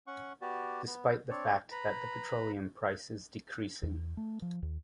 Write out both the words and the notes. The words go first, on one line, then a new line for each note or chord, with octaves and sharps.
Despite the fact that the petroleum price is decreasing.
C#4 F#5 C#6
B3 F#4 G4 D5
B3
C4 D4 C#5 D5
B4 A#5 B5
E2
A3
F3
D#2